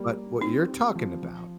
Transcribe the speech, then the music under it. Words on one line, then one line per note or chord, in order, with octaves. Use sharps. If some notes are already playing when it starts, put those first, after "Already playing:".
but what you're talking about
Already playing: G3 A#3
G3
C4 D#4
G4
F3
F3